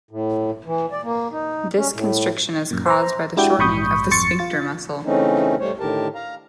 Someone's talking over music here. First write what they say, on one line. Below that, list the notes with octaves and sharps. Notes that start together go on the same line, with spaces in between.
This constriction is caused by the shortening of the sphincter muscle.
A2
E3
D5
A#3
D#4
C#4
A2
F#2 A#2
C5 A#5
G#3 D4 E4 F#4 G4 G5
A#1 G#2 B5 C#6 D#6 G6
G#1 F2 C6 C#6 A6 C#7
F4 A6
C#3 E3 A3 C4 C#4 D#4
G3 A3 C5 C#5
A2 D3 D#3 G4 A#4 A5
F5 A#5